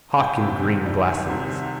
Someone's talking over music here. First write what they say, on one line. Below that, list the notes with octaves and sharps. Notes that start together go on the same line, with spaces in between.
Hock in green glasses.
C2 G5
C3
D#3
G3
C2
C3
D#3